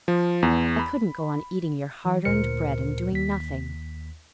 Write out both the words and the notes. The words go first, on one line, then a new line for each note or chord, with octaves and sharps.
I couldn't go on eating your hard-earned bread and doing nothing.
F3
E2
B5
E3
D2 A#2 A#4 C5 F6 C#7
D#2 B6